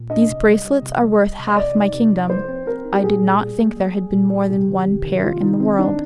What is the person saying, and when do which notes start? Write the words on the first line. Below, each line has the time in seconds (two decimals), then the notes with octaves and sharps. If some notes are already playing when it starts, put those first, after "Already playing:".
"These bracelets are worth half my kingdom; I did not think there had been more than one pair in the world."
Already playing: A#2
0.10 D4 D#5
0.28 C3
0.47 G3
0.65 G3
0.83 C3
1.02 G3
1.20 G3
1.39 C3
1.48 D#5
1.56 C3 D5
1.75 D#4
1.94 C3
2.12 D#4
2.30 F3 C5
2.48 C4
2.66 C4 A#4
2.85 D#4
2.93 G4
3.03 A#2 G#4
3.21 A#2
3.40 G3
3.58 A#3
3.76 G3
3.95 G3
4.13 A#2
4.32 A#2
4.49 C3 G4
4.69 D#3
4.87 C3
5.05 D#3
5.24 C3 F4
5.42 D#3 D#4
5.60 D#3 C4
5.79 D4 D#4